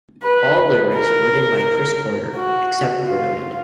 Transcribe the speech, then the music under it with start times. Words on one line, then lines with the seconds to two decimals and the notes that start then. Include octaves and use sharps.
All lyrics written by Chris Corner, except where noted.
0.23 B4
0.94 A#4
2.35 F#4
3.07 F4